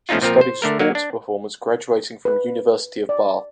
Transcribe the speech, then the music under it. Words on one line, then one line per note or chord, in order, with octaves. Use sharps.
She studied Sports Performance graduating from University of Bath.
F3 A3 C#4 D#4 F4
A#2 F3 C4 F4 A#4
C5
D3 A3 A#4
F#3 A#3
D4
B4
D5